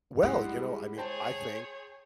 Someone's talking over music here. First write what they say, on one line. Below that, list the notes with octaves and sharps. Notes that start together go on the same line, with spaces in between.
Well, you know, I mean, I think,
G3 G#3 B3 E4 F#5
G#4 C5 C#5 G5 A5